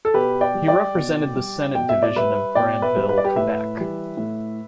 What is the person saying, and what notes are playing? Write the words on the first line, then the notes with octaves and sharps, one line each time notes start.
He represented the Senate division of Grandville, Quebec.
A4
B2 G4 B4
D5 G5
G3
D5 G5
B2
G3
B2 G5
E5
D5
G3 B4 E5
B2 D5 G5
B4 E5
G3
B4
D5
G4 B4
A2 B4 E5
E3 G3
A2